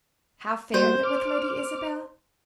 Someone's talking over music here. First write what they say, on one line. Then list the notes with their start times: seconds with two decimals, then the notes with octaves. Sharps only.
How fared it with Lady Isabel?
0.74 G3 A#3 F#4 C5
1.03 D6 F6